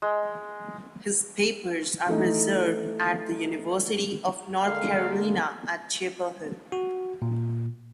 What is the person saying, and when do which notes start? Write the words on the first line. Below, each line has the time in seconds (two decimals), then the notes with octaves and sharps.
His papers are preserved at the University of North Carolina at Chapel Hill.
0.02 G#3
2.06 E3 A3 D#4
4.62 D3 G#3 A#3 F5
6.72 F#4
7.22 A#2